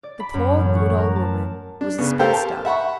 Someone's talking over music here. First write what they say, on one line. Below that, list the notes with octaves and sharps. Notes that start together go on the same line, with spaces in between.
The poor good old woman was a spinster.
D5
B5
F#2
A1
F#4
A#4
A5
D4
C#3 B3
G4 A4 A#4 C5 F5 G5
A5
E5 F#5 B5 C#6